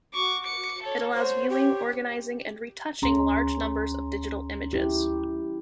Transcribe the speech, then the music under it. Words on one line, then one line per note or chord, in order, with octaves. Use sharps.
It allows viewing, organizing and retouching large numbers of digital images.
F#4 C#6 D6
D6 C#7
A4 C#5
F#4 C5 C#5
G4 C#5
D2 C#4 G#4 A#5 C6
E4 G4